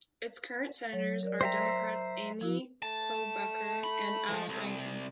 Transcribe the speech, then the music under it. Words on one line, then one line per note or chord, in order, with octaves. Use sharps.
Its current Senators are Democrats Amy Klobuchar and Al Franken.
F#3 C#5
A#4 D5
C5 E5 G5 A#5
F3 E4 F#4
A3 A5
B5
E3 F3
C2